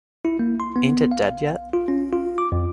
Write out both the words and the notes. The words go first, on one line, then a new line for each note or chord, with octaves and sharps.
Ain't it Dead Yet?
E4
A#3
C6
B3
F5
F4
C#4
F4
D6
F2